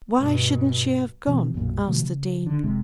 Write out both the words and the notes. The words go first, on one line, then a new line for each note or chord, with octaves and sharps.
"Why shouldn't she have gone?" asked the Dean.
G2 B2
B2 E3 C4
B1 F#2 A#2
B2 D#3 F3 A3
C#3
D3
F1 C3 G#3